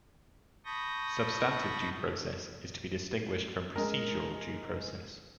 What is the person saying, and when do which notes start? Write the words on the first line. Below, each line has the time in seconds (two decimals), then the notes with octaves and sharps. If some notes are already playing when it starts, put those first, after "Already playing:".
Substantive due process is to be distinguished from procedural due process.
0.65 A5 B5 C#6 D#6 G6 A#6
3.76 G#3 A#4